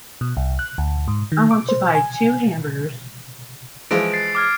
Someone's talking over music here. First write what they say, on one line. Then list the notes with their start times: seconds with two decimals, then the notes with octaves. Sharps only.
I want to buy two hamburgers.
0.21 B2
0.37 C2
0.59 F#6
0.78 D2
1.08 G#2
1.32 D#3
1.51 D6
1.69 C5
1.95 G#5
3.91 E3 F3 G#3 D7
4.13 A6 C7
4.35 D6 F6 G#6